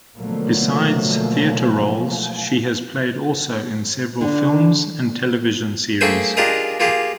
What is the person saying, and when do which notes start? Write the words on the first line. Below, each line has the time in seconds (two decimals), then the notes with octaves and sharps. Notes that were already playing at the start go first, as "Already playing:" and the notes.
Besides theatre roles she has played also in several films and television series.
0.19 B2 D3 F3 F#3 A3 A#3
4.21 D3 D4
6.01 A3 A#3 G#4 C5 G5 G#5
6.37 D4 F4 G4 G#4 A#4 D#5
6.80 A#3 F4 G4 G#4